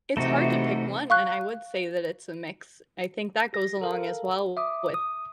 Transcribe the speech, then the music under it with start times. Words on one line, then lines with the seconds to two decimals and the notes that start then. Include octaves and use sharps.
It's hard to pick one, and I would say that it's a mix, I think that goes along as well with
0.17 C3 E3 A3 D#4 F#4
1.10 F5 C#6 F#6
3.53 G4 A#6
3.81 A4 A#4 F5
4.57 E5 D6 D#6
4.94 D#6